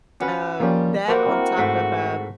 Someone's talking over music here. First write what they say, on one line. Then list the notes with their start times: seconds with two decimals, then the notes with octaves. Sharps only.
um, that, on top of, uh,
0.20 C#4 F#4 B4
0.60 F3 G3 A#3 C#4
1.08 A#3 F#4 G4 B4 C5 F#5
1.27 C4 E4 A#4
1.58 G#2 A3